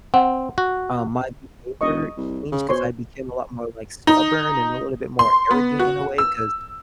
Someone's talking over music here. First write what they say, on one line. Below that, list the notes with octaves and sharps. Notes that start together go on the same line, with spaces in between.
um, my behavior changed, 'cause I became a lot more, like, stubborn, and a little bit more arrogant in a way, 'cause,
C4 F#5
F#4
E1 D#5 C#6
C2
C#3
B2 C5 C#5 C6
D#4
C6
B3
F#4
E6